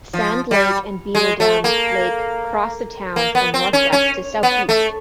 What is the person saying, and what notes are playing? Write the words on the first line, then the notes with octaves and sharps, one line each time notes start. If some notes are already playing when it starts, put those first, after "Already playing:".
Sand Lake and Beaver Dam Lake cross the town from northwest to southeast.
F3
G3
G#3
A3
A#3
A#3
B3
C4
C#4
C#4
B3
A3